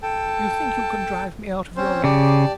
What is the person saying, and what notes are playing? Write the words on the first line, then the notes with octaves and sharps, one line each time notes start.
You think you can drive me out of your life.
A4 G5 A5
C4 C#4 C5
C#3 G4 D5 A5